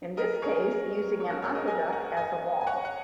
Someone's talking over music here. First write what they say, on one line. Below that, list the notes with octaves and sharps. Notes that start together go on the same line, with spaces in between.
In this case using an aqueduct as a wall.
A#4 D#5
G#4 C#5
C#5
F#4 A#4
G#4 C#5
A#4 D#5
D#5 G#5
F#5 A#5
D#5 G#5
G#5
C#5 F#5
F#5